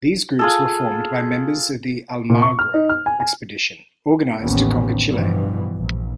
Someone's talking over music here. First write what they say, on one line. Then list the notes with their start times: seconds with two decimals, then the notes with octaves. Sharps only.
These groups were formed by members of the Almagro expedition, organized to conquer Chile.
0.39 F4 G#4 A4
2.30 A#2
2.42 C#6
2.59 F6
2.74 D#4
2.89 F6
3.06 G#5
3.20 G#5
4.41 A1 D#2 C3 B3 C#4
5.11 G2 B2 E3 F3
5.76 A#1